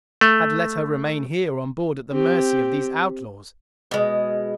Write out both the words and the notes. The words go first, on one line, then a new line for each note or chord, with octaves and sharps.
Had let her remain here on board at the mercy of these outlaws.
A3
C4 G4
B2 G#3